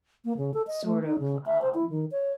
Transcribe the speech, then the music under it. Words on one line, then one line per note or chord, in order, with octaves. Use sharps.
sort of, um,
A#3
C#3
A4
D#5
A3
D#4
C#3
E5
C5
E4
D#3
C#5